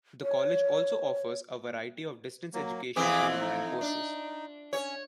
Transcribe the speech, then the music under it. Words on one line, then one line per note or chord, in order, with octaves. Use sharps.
The college also offers a variety of distance education and online courses.
C#5
F#3 A#3
F2 E3 C4 G#4 D6
D#4
D4
C#4 C#5